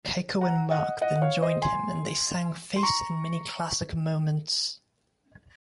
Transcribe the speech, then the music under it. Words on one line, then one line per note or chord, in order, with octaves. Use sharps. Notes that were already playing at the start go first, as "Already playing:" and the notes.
Keiko and Marc then joined him and they sang "Face" and "Many Classic Moments".
F#5 A#5
D#5 F#5
D#5 F#5
F#5
C#5 F5
C5 D#5
G#5 C6
C6
A#5 C#6